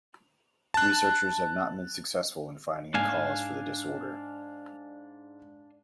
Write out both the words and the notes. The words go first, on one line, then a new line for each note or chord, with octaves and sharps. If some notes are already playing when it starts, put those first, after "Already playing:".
Researchers have not been successful in finding a cause for the disorder.
A5 F#6
G#2 D4 F5 G#5